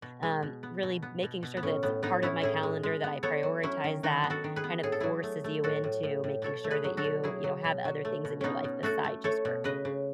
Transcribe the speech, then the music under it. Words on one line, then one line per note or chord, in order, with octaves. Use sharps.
um, really making sure that it's part of my calendar that I prioritize that kinda forces you into making sure that you, you know, have other things in your life beside just work.
B2
G#3
B2
B3
B2
B3
B2
B2
B3
A2 C#4
A2 B3
A2 B3 D#4
B3 C#4 E4
A2 E4 G#4
G#3
G#3
B3
B3 A4 C#5
F#3
F#3 C#4 E4
D#3
D#3 D#4 F#4
B3
F#4 A4
D#3
G#4 B4
B3
A2 G#4
A4
F#3 E4 G#4
A3
A3
A2 F#4 A4
A2
A2
A2
B2 A4 C#5
A3
G#4 B4
F#3
F#4 A4
B2
F#3 E4 G#4
F#3
B2
F#3
A3
B2
B2 B3 C#4 D#4
B2
A3 F#4 A4
A3
A3 A4 C#5
B2
C#3 B4 D#5
C#3